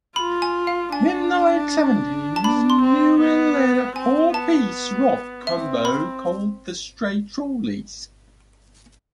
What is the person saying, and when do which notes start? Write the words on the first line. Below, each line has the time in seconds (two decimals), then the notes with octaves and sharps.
In the late seventies, Newell led a four-piece rock combo called The Stray Trolleys.
0.16 F4 B5
0.42 G#5
0.67 F5
0.92 D4 G#5
2.36 A5
2.44 D4 B5
2.70 C6
2.82 C4
3.20 B3
3.96 C4 G#5
4.33 B3 A5
5.47 C4 E5
5.85 B5